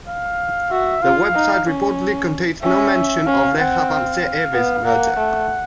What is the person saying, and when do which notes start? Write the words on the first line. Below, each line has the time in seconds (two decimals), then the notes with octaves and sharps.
The website reportedly contains no mention of Rehavam Ze'evi's murder.
0.08 F5
0.71 F#4 E5
1.03 F4 F5
1.35 D#4
1.67 C#4
2.62 C#4 E5
2.95 E5
3.26 C#4 F5
3.58 C4 F#5
3.89 F5
4.22 F5
4.53 B3
4.85 A#3 F#5
5.17 A3